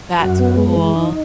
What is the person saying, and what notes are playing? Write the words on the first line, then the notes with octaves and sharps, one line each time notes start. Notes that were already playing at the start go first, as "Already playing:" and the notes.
That's cool.
F#2 F#4
B3
G#3
E3
D#4